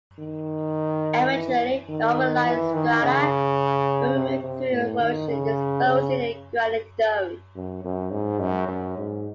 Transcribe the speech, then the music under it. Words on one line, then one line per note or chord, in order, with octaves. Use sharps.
Eventually the overlying strata were removed through erosion, exposing the granite dome.
D#3
E3
D#3
E3
D#3
C#3
C3
C3
A2
D#3
C#3
C#3
F#2
F#2
G#2
F#2
F#2
G#2